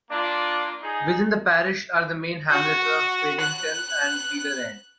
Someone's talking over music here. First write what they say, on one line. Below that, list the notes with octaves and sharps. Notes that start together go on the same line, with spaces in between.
Within the parish are the main hamlets of Piddington and Wheeler End.
A#3 D4 F4
D#4 G#4
F#4
F#6